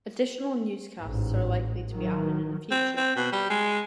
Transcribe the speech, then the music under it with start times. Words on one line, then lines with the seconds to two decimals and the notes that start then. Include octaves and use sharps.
Additional newscasts are likely to be added in the future.
0.99 A1 G#2
1.90 D#3 F#3
2.71 C4
2.97 C4
3.16 B2
3.32 G3
3.50 G#3